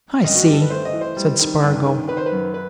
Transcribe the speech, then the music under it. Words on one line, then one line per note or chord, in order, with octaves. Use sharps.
"I see," said Spargo.
G2 D#5
F#4
G4
G2
A4
B4
A3 C5
D#5
E3
C5
G3
D#3
G2
D#3
D#3 B4
C5
B4
F#2
B4